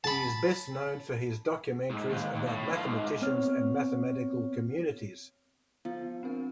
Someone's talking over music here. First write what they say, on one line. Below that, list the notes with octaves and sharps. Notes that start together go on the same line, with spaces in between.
He is best known for his documentaries about mathematicians and mathematical communities.
A5 B5
G#2
D#2
D#2
A2
B1 F4
G#2
B3 C4 C#5 F6
F3 B3
C4 D4 A#4